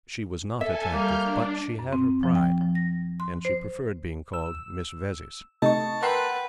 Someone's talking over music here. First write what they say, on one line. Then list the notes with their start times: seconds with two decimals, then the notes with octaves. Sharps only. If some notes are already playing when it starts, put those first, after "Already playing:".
She was not attractive; but she had her pride, and she preferred being called "Miss Vezzis."
0.61 A4 E5 G#5
0.92 G3 A#3 F6 G6
1.22 D4
1.79 F#2
1.93 C4
2.23 F3
2.35 G5
2.61 F3
2.75 A#6
3.20 C6
3.45 C5
4.34 E6
5.62 C3 A3 D#4 D#5 A5 C#6
6.03 A#4 B4 F#5 G5 C6 E6